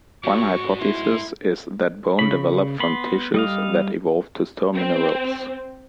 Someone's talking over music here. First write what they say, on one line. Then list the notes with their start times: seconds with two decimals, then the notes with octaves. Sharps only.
One hypothesis is that bone developed from tissues that evolved to store minerals.
0.24 G#2 C#4 F#4 C#6
0.81 E4 C6
2.19 C#3 B5
2.80 B3 B5 C6
3.34 G3 D#5 F5
4.75 C4